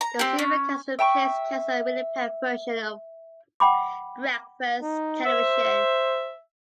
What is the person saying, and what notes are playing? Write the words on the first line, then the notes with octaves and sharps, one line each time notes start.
The simulcast replaced the cancelled Winnipeg version of "Breakfast Television".
A#5
C4 G4
C#4
E5 G5 A5 C#6
F#5 G5 B5 D6
D#4
C5 E5